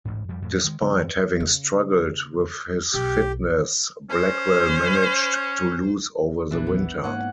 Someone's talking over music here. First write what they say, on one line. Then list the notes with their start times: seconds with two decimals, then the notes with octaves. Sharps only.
Despite having struggled with his fitness, Blackwell managed to lose over the winter.
0.05 A1 D2 G#2
0.29 F2 F3 G3
0.42 F2 A2
0.64 D#3 G#3
0.82 C#3 F#3 B3 D4
0.96 F#2 E3 B3 C4
1.40 C#3
2.94 B1 G4
4.10 C#4 C5
6.51 A#1 E2 E3 D4 E4
6.67 B3
7.04 G#2 A#3 C#4 F#5